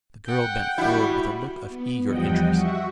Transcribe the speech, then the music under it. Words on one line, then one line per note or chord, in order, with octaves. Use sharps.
The girl bent forward with a look of eager interest.
F#5 G5
G3 E4 F#4
B3
E2 F3 G3 D#5 F#5 G5
F#4 E5 F#5 C#6